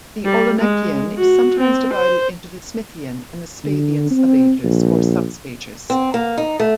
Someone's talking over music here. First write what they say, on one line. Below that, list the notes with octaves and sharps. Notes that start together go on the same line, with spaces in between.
The Olenekian is sometimes divided into the Smithian and the Spathian subages or substages.
G3
G#3
F#4
C4
C5
D3
C4
A#1
C4
A#3
D#4
A3